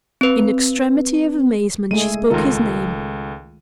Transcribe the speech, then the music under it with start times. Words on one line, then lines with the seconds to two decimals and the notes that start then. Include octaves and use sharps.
In extremity of amazement she spoke his name.
0.21 C4 B4
1.91 G#3 A3 G#4 D#7
2.30 C#2 D#3 F4 A4 A#4